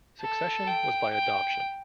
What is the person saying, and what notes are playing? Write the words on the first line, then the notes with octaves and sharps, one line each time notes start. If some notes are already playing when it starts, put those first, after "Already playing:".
Succession was by adoption.
A4
G5
G5